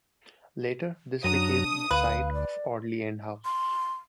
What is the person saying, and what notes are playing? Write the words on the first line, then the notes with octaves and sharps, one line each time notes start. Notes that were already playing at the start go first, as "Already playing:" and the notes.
Later this became the site of Audley End House.
F#2 F#3 D4 A#5 D#6
D2 B4 F5
D5
C6